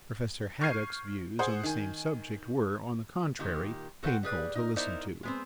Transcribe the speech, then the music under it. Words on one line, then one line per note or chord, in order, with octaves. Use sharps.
Professor Haddock's views on the same subject were, on the contrary, painful to listen to.
C#6 F6 G6 G#6 C7 D#7
G#4 C5 F#5 D#6 G6
D#3 G#5
A#2 D#3 G4
F#4 A4 C5 D#5 F#5 G5
G3 G#4 B4 D5
D#4 A#4
B3 D#4 E4 A#4 C5 D5
G#3 B3 C4